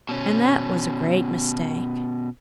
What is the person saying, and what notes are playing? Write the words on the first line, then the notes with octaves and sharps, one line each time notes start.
And that was a great mistake.
B2 C#4